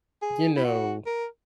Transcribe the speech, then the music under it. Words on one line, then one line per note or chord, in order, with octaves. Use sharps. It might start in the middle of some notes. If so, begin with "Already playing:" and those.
you know
G#4
E4
F#4
A#4